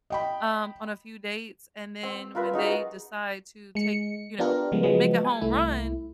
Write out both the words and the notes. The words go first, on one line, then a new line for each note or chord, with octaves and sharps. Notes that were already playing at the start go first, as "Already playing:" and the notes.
um, on a few dates and then when they decide to take, you know, make a home run,
D#5 G5 B5
C4
F4 A#4 B4 E5
G#3 D#4 F#4 G#4
G#3 C#7
B3 D4 F4 G4 A#4
C#3 F3 G3 G#3 B3
C#3 F3 F#3 G#3 B3
G#5
C2 A3 E4